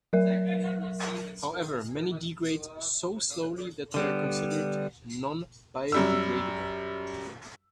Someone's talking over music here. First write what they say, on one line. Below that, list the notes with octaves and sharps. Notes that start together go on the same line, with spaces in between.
However, many degrade so slowly that they are considered non-biodegradable.
F#3 A#4 E5
D3 G3 B3
F#2 G3 E6